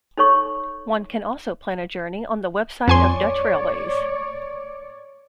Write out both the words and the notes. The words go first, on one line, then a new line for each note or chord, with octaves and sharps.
One can also plan a journey on the website of Dutch Railways.
D#4 A4 C#5 C#6
F2 C#5 D5 G#5 C6